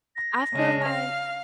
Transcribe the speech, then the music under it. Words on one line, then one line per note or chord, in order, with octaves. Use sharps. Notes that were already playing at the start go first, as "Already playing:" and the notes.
I feel like
A#6
C#3 G#3 D4
F5 F6